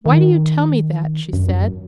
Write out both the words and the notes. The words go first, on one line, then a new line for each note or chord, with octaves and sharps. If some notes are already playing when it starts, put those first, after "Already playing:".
"Why do you tell me that?" she said.
D#3
F#2
F#2